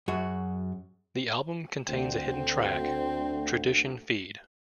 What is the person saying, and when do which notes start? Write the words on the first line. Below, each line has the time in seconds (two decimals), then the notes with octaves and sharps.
The album contains a hidden track, "Tradition Feed".
0.08 F#2 F#4 G#4
1.88 D2 C4